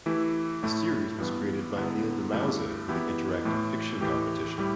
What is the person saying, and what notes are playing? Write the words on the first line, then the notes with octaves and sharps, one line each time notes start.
The series was created by Neil deMause for the Interactive Fiction Competition.
E3 A3 E4 G4
A2 A3 E4
G2 E3 B3
E2 D3 B3 E4
G2 D3 A3 E4 G4
E2 E3 B3 E4 G4
A2 E3 A3
A2 E3 A3 G4
A2 G3 E4 G4